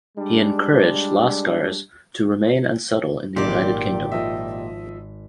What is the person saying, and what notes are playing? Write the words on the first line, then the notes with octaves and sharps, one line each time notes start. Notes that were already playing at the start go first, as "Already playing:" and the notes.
He encouraged lascars to remain and settle in the United Kingdom.
G3 G#3 D4
G#1 A#2 G4 A#4 D5 A#6
F3 D#5 E5